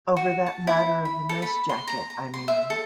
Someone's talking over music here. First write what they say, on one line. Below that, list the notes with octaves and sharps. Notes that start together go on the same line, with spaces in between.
Over that matter of the mess jacket, I mean.
F#4
A5
E4
B5
A4
B5
C6
A#5
A#5
C6
E5
A4